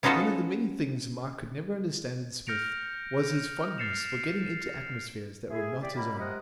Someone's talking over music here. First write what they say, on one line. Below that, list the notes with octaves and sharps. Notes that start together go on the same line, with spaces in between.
One of the many things Mike could never understand in Psmith was his fondness for getting into atmospheres that were not his own.
B3 C#4 D#4 F4 F#4 A4
F6 G6 A#6 C#7 D7 F7
F6 A6 C7 C#7 E7 F7
E4 G#4
G4 D5
F#2 B2 A#3 G4 B5
C3 G#3 A#4 F#5 D#6